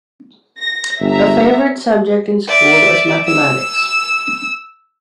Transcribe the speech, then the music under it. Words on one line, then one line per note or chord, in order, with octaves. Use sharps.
Her favorite subject in school is mathematics.
A#6
G1 E5 A#5
D5 E5
E6